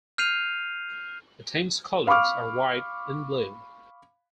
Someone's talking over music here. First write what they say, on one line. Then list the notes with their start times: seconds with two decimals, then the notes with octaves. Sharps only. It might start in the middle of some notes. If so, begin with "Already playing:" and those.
The team's colours are white and blue.
0.18 F6 G6 C7 D#7 F7
2.07 F5 B5 C#6 D6 F6